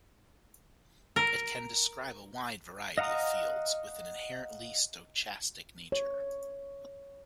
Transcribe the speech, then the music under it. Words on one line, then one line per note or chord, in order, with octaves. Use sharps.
It can describe a wide variety of fields with an inherently stochastic nature.
A#4
D#5 F5 F#5 A#5 D#6
C#5